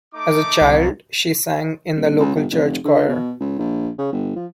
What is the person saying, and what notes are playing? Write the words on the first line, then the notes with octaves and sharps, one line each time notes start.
As a child, she sang in the local church choir.
A3 D#4 D6
C2
D#1
C#2
G1
F1
D3
B2
C#2
A#1
C#3
G1
F3